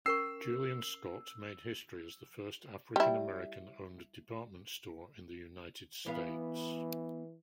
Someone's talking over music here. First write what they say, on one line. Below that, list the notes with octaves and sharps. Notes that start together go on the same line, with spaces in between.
Julian Scott made history as the first African-American-owned department store in the United States.
C#4 A#4 C#6 E6 C7
G3 E4
E3 B3 F5